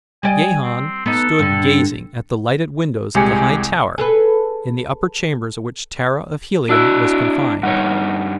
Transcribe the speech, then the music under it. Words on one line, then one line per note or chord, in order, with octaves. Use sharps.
Gahan stood gazing at the lighted windows of the high tower in the upper chambers of which Tara of Helium was confined.
G3 D5 D#5 G#5
C4
B3 D#4 A4
G2 D3
C2 G#3 G4 G#5 C#7
G#4 A4 B4
D4 E4 F#4 E6 F#6
G2 D#4 C#5 F#5